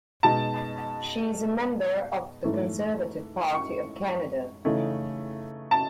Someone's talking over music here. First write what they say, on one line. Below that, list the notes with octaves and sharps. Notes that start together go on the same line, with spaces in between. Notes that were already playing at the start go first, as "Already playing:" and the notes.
She is a member of the Conservative Party of Canada.
B2 G#3 D#4 A5
G#2 E3 A3
C#6
C#3 E3 A3 D#4
A5